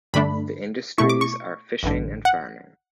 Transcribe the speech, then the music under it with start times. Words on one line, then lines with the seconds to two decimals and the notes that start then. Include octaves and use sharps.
The industries are fishing and farming.
0.14 G2 D3 A3 D4 B5
0.98 B2 A3 E4 C#6
1.09 D6
1.21 C#6
1.83 A1 G2 D3
2.25 F#5